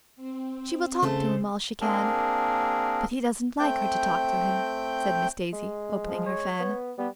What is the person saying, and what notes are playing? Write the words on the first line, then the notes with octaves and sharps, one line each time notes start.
"She will talk to him all she can; but he doesn't like her to talk to him," said Miss Daisy, opening her fan.
C4
C#3 A3 A4 C5
A#3 C4 D4 G#4 A#4
A3 C4 G5 G6
G#3
F3
C#5
B3
G3 B3